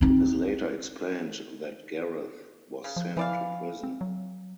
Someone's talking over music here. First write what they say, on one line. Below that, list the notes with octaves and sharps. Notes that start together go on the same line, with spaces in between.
It is later explained that Gareth was sent to prison.
C4 D#4
C#3
F3
E3 F3 D5 F5
C4
F#3